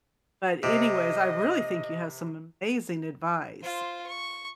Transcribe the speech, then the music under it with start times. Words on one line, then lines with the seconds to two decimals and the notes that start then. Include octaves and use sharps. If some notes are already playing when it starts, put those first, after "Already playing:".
but, anyways, I really think you have some amazing advice.
0.63 C3 D#5
3.61 F4 C5
4.06 C#6